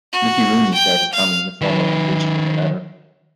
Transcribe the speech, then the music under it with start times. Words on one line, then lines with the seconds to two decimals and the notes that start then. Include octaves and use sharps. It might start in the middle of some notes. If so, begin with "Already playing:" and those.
Mickey Rooney starred as Tommy in the former and Richard in the latter.
0.13 F#4
0.74 G5
1.13 F5
1.61 D#3 B4